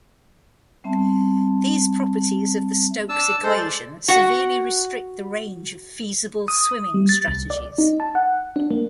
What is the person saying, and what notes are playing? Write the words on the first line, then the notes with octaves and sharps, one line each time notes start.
These properties of the Stokes equation severely restrict the range of feasible swimming strategies.
G3 B3 C4 E5 A5
D4 A5 E6
G#3 A4 C5
D5
F#4 F#5
D#6
G3
A6
C2
D5
D#4
A5
F#5
D4
A#3